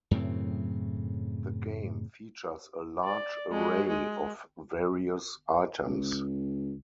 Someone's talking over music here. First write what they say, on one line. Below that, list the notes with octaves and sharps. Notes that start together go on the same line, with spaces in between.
The game features a large array of various items.
F#2 A2 C#3 C4
D5
F#3 G#3
G#3
C#2